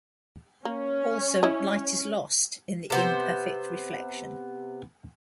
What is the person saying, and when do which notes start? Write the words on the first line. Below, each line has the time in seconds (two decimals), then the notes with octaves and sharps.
Also, light is lost in the imperfect reflection.
0.65 A#3 C#4
1.43 E4 D#5
2.90 C3 B3 C5